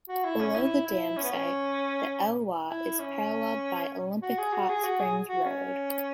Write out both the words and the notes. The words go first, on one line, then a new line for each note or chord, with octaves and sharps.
Below the dam site, the Elwha is paralleled by Olympic Hot Springs Road.
F#4
E4
C#4
E4
E4
C#4
B3
C#4
E4
C#4
F#4
G#4
F#4
G#4
F#4
G#4
F#4
C#4